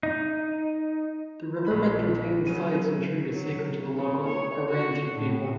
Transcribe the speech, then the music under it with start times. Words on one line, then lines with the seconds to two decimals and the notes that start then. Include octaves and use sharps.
The riverbed contains sites and trees sacred to the local Arrente people.
0.03 D#4
1.67 A#1 B5
2.47 C#3 F#3 C#4 D#7
3.30 F#3
3.97 C#3
4.27 C#5
4.69 F#4
5.12 A2